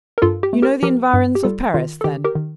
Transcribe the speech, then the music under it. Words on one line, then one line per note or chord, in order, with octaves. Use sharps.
"You know the environs of Paris, then?"
A#4
G2 F4 A4
G4
A3
G4 A#4
F3 G4 A#4
G2
G4
G3 F4 A4
D#3 F4
A4
D#3 G4
G4 A#4
D#3